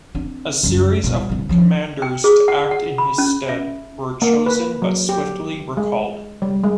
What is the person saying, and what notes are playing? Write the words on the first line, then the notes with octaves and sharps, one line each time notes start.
A series of commanders to act in his stead were chosen but swiftly recalled.
C4 D4
C#2 F#2
C2 B2
C2 D3
F3 C#4
G5
G#4
F#5
F#5
B5
C#4
E5
A#3
B4
F#3
G4
G#3
G3
G#3